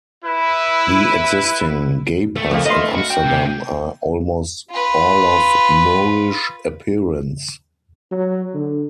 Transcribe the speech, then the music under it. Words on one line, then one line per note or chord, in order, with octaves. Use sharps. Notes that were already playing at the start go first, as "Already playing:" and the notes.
The existing gapers in Amsterdam are almost all of Moorish appearance.
E4 B4
A3
F2 A#3 D#5
B4 D#5 F5 C6
F#4
G5
C3
F4 B4
F#3
D3